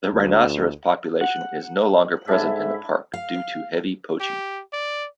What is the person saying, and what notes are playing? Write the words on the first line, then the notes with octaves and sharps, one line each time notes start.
The rhinoceros population is no longer present in the park due to heavy poaching.
D2
F#5
G#2 D4 E4 A4 E5
F5
G4
D5